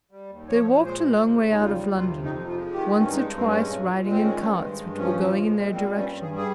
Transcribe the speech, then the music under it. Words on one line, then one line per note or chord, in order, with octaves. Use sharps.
They walked a long way out of London, once or twice riding in carts which were going in their direction.
G3
D#2
F3 C#5
A#2
G#3 C5
A#2
C#3
D#2
D#4
G3 F4
D#2
C3 F4
F2
D#4
F3
F4
G#3
D#3 G4
G2
C#4
G#3 D#4
G2
C4
G#3 C#4
A#2
A#2
G#3
C4
D#3 C#4
G2
G#3
G2
F3 C#4
A#2
G#3
A#2
G3 C4
G2
C#4
G2
G#4
G3
G#4